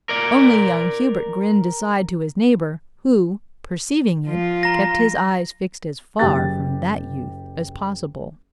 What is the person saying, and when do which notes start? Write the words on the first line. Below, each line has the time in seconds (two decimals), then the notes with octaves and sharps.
Only young Hubert grinned aside to his neighbour, who, perceiving it, kept his eyes fixed as far from that youth as possible.
0.09 A#4 D5
4.28 F3 F4
4.63 A#5 A#6
6.19 F#1 G4 A6